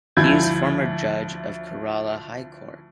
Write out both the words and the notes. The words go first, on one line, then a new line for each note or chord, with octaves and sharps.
He is former Judge of Kerala High Court.
D2 F3 E4 B5 G6 G#6